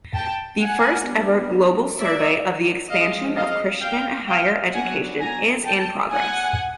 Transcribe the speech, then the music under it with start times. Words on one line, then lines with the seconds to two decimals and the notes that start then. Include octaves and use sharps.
The first-ever global survey of the expansion of Christian higher education is in progress.
0.14 G5 A5
0.60 F#5 G#5
1.06 G3 B3 D4
1.98 D5 E5
2.90 F3 G#3 C4 D#5 F5
3.36 D#5 F5
3.82 F5 G5
4.28 F5 G5
4.74 F#3 B3 D4 F#5 G#5
5.20 G#5 A#5
5.66 G5 A5
6.13 F#5 G#5